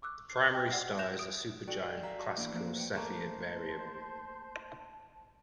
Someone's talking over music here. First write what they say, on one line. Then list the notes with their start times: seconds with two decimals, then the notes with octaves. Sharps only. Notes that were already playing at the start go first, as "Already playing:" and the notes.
The primary star is a supergiant Classical Cepheid variable.
0.02 C#6 D6 E6 F#6
0.30 C7
0.52 D#5 G5
0.72 D5 F#5 F6 C7
0.98 F#6 G6 A#6 E7 F7
1.19 D#6 D7
1.68 F#4 A4 D5 G5 G#5
2.03 E5 F5 A#5
2.19 D#5 A5 C#6
2.38 E3 A#3 D4 E4 D5
2.52 F3 A#3 C#4
2.76 B4 F#5 G5
2.96 A3 A#3 C5 A5